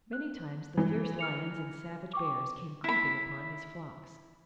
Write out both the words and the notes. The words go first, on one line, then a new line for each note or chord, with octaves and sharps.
Many times the fierce lions and savage bears came creeping upon his flocks.
F#6
E3
F6 C#7 F7
G5 C#6 D6
E4 B5